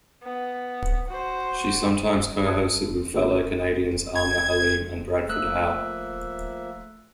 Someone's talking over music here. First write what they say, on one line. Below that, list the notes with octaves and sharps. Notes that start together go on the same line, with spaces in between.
She sometimes co-hosted with fellow Canadians Aamer Haleem and Bradford How.
B3
F#4 C5
A5 D#6 E6 F#6 G#6
A2 D3 A3 B3 F4 G#4
G#6
F3 A3 A#3 E5 E6 F#6